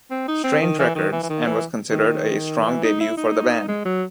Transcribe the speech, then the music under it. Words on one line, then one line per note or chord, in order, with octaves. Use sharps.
Strange Records, and was considered a strong debut for the band.
C4
D#4
C4
D#3
E3
D#3
E3
E3
D#3
E3
D#3
E3
D#4
E4
D#4
G#3
F#3